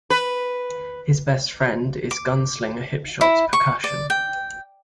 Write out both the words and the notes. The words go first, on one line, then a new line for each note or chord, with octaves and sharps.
His best friend is gunslinger Hipshot Percussion.
B4
D6
E4
C#6
D5
G5